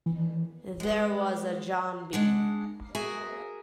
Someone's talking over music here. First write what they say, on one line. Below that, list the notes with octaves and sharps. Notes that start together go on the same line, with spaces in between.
There was a John B.
E3
G#3 B3
G#3 D4 F#5
F#4 G#4 A#4 E5 G#5